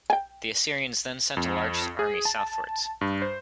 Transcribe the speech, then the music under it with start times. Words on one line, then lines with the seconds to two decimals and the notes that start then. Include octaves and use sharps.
The Assyrians then sent a large army southwards.
0.10 G5 G#5
1.37 F2
1.99 G#4
2.25 A5
3.01 G2
3.22 C5